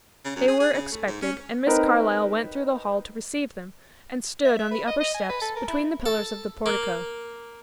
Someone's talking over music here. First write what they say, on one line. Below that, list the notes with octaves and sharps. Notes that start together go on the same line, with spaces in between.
They were expected, and Miss Carlyle went through the hall to receive them, and stood on the upper steps, between the pillars of the portico.
C#3
F#2
G#4
G#4
C#3
A3
G#2
C#4
C4 D#4 A#4 B4
E5
E5
B4
D#5
D#5
G#5
B4
A4
A#4
E4
A4
A#3